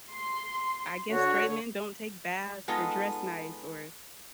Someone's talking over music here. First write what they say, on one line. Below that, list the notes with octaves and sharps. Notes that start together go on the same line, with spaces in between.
I guess straight men don't take baths, or dress nice, or
C6
D3 F#4 C#5
G#3 B3 D#4 F4 A4